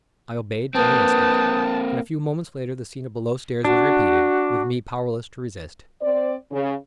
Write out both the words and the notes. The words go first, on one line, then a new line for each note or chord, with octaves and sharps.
I obeyed on the instant and a few moments later the scene of below-stairs was repeated, with me powerless to resist.
A#3 C4 B4 A5 D#6 G6
D4 F#4
C4 C5 D5
C#3